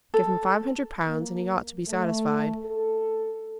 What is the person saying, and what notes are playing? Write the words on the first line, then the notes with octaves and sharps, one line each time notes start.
Give him five hundred pounds, and he ought to be satisfied.
A4
A#3
A3
A4